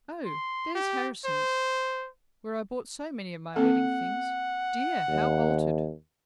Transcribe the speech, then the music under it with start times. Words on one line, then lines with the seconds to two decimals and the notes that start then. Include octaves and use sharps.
'Oh, there's Harrison's, where I bought so many of my wedding-things. Dear! how altered!
0.25 C6
0.75 G4
1.25 C5
3.56 A#3 C4 A4 F#5
5.08 D#2